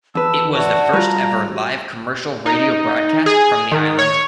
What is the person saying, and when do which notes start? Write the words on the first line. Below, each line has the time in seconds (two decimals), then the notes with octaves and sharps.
It was the first ever live commercial radio broadcast from the island.
0.15 E2 B4 A5 E6
0.53 F#4 D5 E5 F#5 A5
0.93 G3 F4 F#4 A#5
2.46 D#4
3.26 G#4
3.72 D#3
3.99 C#5